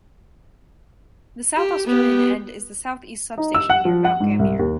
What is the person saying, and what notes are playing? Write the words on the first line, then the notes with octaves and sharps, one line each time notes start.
The South Australian end is the South East substation near Mount Gambier.
G4
B3 G4
D#4
E6
F#5
F3
F#5
G#2
C2
D#2